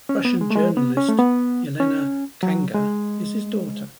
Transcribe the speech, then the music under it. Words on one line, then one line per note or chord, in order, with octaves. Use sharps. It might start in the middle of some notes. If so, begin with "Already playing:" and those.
Russian journalist Yelena Khanga is his daughter.
C#4
B3
G#3
A3
G#3
B3
C#4
A3
B3
C#4
F#3
G#3